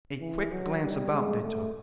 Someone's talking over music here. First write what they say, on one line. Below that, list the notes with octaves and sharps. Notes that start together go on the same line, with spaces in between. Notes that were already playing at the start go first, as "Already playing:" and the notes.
A quick glance about they took.
E3
F#3
G3
G#3
A3